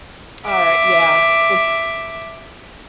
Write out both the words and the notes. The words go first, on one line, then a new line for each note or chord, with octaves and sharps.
Alright, yeah, it's
E5 D6